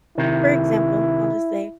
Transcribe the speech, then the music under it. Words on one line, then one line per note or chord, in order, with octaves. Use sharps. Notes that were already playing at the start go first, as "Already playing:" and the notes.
for example, I'll just say,
C3 D#3 E4